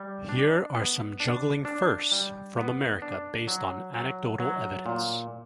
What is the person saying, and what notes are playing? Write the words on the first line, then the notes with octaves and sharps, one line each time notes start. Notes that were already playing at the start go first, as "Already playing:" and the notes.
Here are some juggling "firsts" from America, based on anecdotal evidence.
Already playing: G3
D4
B3
D4
D4
G3
B3
D4
F#3
F#3
F#3
A#2